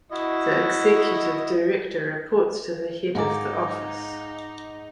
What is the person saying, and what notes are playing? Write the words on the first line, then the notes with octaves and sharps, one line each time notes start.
The Executive Director reports to the Head of the Office.
E4 F#4 D#5
G#2 D#4 F5 F#5 G#5 A#5 D6